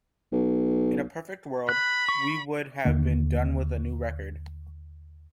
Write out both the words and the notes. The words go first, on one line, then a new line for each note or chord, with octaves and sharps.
In a perfect world, we would have been done with a new record.
B1
B5 F#6
C#6
D#2 D3 A#3